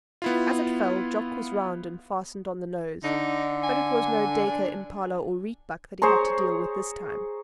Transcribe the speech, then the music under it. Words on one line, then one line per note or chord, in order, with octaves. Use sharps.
As it fell Jock was round and fastened on the nose; but it was no duiker, impala or rietbuck that he had to deal with this time.
B3 E4 F4
D3 D#4
G#5
D4
G#4 C5 C#5 A#5